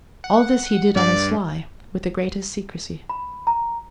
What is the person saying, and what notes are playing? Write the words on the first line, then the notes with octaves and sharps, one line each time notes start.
All this he did on the sly, with the greatest secrecy.
F#5
G2 D5
B5
A#5